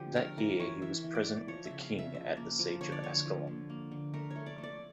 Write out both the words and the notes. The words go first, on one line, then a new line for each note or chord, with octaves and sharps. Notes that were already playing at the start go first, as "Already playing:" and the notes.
That year he was present with the king at the Siege of Ascalon.
Already playing: D3 F3 G4
A3 A#4
E3 A#4
E3 C#5
E3 E5
E3
D5
E3
F3 C#5
E5
C#3
F5
C#3
E5
F3 E5
A#3
F3
D3 C#5
D5
D3 C#5
F3
D3
A#3
D3
A3 A#4
C#5
A3
D5
A3
D5